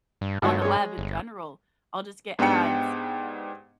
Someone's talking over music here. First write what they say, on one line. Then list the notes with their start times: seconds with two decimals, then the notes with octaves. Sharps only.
on the web, in general. I'll just get ads.
0.21 G2
0.42 G#1 G2 F#4 C#5
0.62 G#3 C#5
0.98 G1
2.39 G#2 B3 D4 G4 G5 C#7